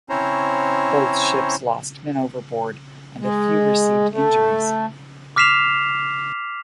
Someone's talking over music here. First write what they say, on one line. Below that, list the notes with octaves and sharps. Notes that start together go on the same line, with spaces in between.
Both ships lost men overboard, and a few received injuries.
C4 C#4 E4 C5 C#5 A#5
G#3
A3
D6 F6 B6 C7 E7 F7